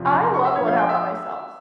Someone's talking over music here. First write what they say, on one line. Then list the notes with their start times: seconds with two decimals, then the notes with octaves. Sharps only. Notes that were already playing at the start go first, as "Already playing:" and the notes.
I love going out by myself.
Already playing: E2 C3 F3
0.23 C6
0.34 C#6
0.45 E5
0.56 G1 G2 F3 C#5
0.67 F5
0.78 G5
0.89 E5